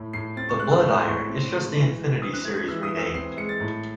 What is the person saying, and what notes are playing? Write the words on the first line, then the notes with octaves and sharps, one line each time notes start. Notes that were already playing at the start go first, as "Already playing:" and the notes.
The "Bloodiron" is just the Infinity series renamed.
Already playing: A2
A2 C7
C4 A6
C#6
G#3 F#6
E6
A2 C#6
C6
A2 C#6
C#6
C4
G#3
E3
E3
C4 D#6
F#6
G#3 G#6
G#6
E3 E6
D#6
E3
E6
C4 C7
G#3 C#7
A6
A2